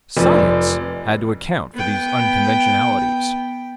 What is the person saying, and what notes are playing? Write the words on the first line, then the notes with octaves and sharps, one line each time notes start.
Science had to account for these unconventionalities.
F1 F3 D5
B3 G5